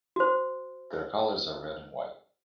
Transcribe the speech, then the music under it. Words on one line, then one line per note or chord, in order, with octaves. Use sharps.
Their colors are red and white.
F#4 C5